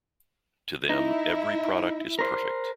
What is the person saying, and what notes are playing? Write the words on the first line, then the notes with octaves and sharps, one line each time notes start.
To them, every product is perfect.
D#4 E4
A#4 C5